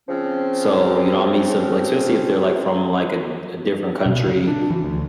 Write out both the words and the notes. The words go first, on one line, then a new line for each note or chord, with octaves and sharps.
so, you know, I meet some Like, especially if they're, like, from, like, a d a different country,
C#3 F3 C4 C#4
B2
C#3
D4
E3
D2